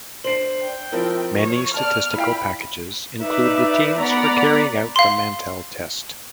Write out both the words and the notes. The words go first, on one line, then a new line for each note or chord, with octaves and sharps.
Many statistical packages include routines for carrying out the Mantel test.
D4 C5 C7 F#7
G5
F3 C4 E4 A#4
C#5
B3 D5 A5 F6
E4 F5 G5 B5
D#4 B4 D5 E5
B3 D5 F#5 A#5 B5
F5 C6